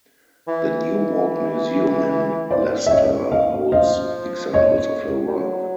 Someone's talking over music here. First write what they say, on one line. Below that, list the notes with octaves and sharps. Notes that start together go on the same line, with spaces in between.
The New Walk Museum in Leicester holds examples of her work.
E3
C5 D5
E5
C#5 D#5
D#5 F5
F3 D#5 F5
C#5 D#5
G3
F#3